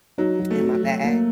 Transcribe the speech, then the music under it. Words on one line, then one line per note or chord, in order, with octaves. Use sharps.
in my bag,
F#3 D#4
F#3
A3
F#3
F#3
A#3